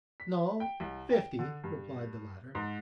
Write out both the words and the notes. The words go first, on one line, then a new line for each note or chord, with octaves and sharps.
"No, fifty," replied the latter.
B6
G5
C2
G5
D3
G2
G#2